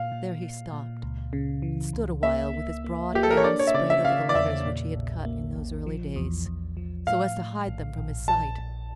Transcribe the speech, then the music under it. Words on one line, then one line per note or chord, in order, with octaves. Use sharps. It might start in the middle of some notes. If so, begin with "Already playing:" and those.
There he stopped and stood a while with his broad hand spread over the letters which he had cut in those early days, so as to hide them from his sight.
Already playing: A#2 F5
A#2
A#2
A#2
C#2
C#3
E3
C#2
A#3 E5
A#3
A#3
A#3 G4
A4
A#4
C#5
D4 D5
C#5
E5
C#3 D5
E5
C#3 F5
D5
E2 E5
A#2
A#1
A#3
A#1
F3
E2
E2
F3
A2 F5
A2
A#1
A#1
A#1 A5
A#1